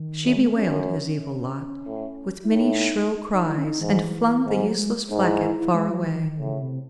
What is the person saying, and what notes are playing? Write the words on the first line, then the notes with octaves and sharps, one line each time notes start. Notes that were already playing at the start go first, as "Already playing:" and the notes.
She bewailed his evil lot, with many shrill cries, and flung the useless flacket far away.
Already playing: D#3
F#2
G#3
A3
C4
F#2 C#4
A2
E4
A2 D#4
D#4
D#4
E4
C#4
D#4
G#2 E3
G#2 D#3
F#3
G#3
G#2 D#4
E4
E4
E4
G#3
F#3
E3
D#3
A2 C#3
C3